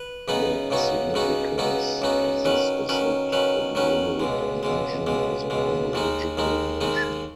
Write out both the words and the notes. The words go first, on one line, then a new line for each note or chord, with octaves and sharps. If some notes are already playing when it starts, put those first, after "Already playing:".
The significance of this is that a global dimension is a homological notion.
Already playing: B4
F#2 C#3 B3 D#4 B4
C#2 C#3 B3 D#4 F#4
C#2 C#3 B3 D#4 F#4
C#2 C#3 B3 D#4 F#4
C#2 C#3 B3 D#4 F#4
D#3 F#3 C#4 B4
D#3 F#3 C#4 B4
D#3 F#3 C#4 B4
D#3 F#3 C#4 B4
C#2 B2 G#3
C#2 B2 G#3
C#2 B2 G#3
C#2 B2 G#3
D#2 D#3 G#3 D#4
D#2 D#3 G#3 D#4
D#2 D#3 G#3 D#4